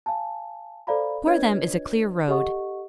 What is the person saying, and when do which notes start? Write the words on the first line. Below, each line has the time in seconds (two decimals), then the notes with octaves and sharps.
Before them is a clear road.
0.06 F5 G#5 A5
0.87 A4 C5 D5 F5 A#5 B5
1.26 D4 F4 B4 C#5 D#5 G#6
2.28 G4 A4 D#5 F#5 C#6